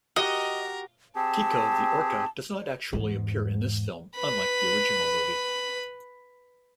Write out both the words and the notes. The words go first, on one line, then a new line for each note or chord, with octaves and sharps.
Keiko the Orca does not actually appear in this film unlike the original movie.
F#4 G4 A#4 D#5
C4 G4 G#4 A5
E2 G#2
B4 B5